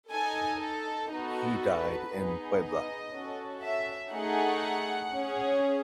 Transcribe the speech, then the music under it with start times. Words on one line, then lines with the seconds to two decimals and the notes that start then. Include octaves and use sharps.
He died in Puebla.
0.11 D#4 A4 G#5
0.61 A4
1.11 B3 D#4 F#4 A4
1.62 B4
2.12 B3 D#4 G#4
2.61 D#5
3.13 C#4 F#4 A4
3.63 E5
4.12 A3 D#4 G#4 F#5
5.13 C#4 G#4